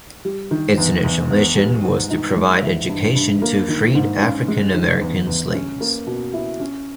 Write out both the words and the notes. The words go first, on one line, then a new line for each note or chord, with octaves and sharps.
Its initial mission was to provide education to freed African American slaves.
G3
D#3
E2
E2
B3
G3
G#2
D#4
G#3
E3
G2
G2
A#3
D#3
G#2
C#4
G#3
D#3
E2
E2
C#4
A#3
B2
E4
C#4